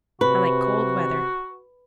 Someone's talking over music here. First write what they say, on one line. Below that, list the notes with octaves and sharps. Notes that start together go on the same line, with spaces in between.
I like cold weather.
C3 F#4 B4